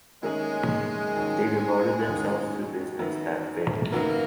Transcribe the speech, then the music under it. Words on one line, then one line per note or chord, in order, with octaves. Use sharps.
They devoted themselves to business that failed.
F#2 D#3 G#3 A#3 C#4 G#4
D#2 D#3 F#3 C#4
D#2 D#3 F#3 C#4
F#2 D#3 F#3 B3
F#2 D#3 F#3 A#3 B3